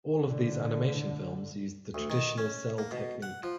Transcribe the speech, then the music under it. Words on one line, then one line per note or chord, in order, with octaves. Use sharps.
All of these animation films used the traditional cel technique.
A2 D3
D2
D#3
C#4
A#3
B2
F#5
F3